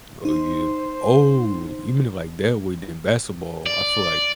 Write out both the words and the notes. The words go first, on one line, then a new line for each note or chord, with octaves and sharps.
Oh, yeah Oh! Even in, like, that would in basketball, I feel like,
D#4 C5
D5